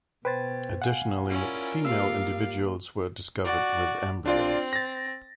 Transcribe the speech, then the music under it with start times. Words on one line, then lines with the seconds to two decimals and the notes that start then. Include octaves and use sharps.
Additionally, female individuals were discovered with embryos.
0.25 B2 B4 C5 G5 G#6 A6
0.82 F5 F#5 G#5
1.29 C#4 E4 F4 A#4 D5
1.85 A#3 G4 F5 E6
3.45 F#4 D5
4.26 C4 D4 F4 D5
4.73 A6 A#6